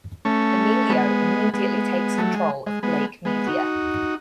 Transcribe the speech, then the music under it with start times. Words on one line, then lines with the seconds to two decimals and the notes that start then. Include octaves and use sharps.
Emilio immediately takes control of Blake Media.
0.25 A3 C#4
0.89 G#3 B3
1.54 G#3 B3
2.18 F#3 A3
2.34 G#3
2.67 G#3
2.83 G#3 B3
3.25 G#3 B3
3.47 D#4 F#4